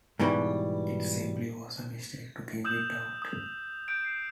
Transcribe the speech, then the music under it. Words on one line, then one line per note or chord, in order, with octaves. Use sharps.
It simply was a mistake to give it out.
G#2 B2 E3 G3
D#6 E6 G6 E7
D#6
G6 D7
C7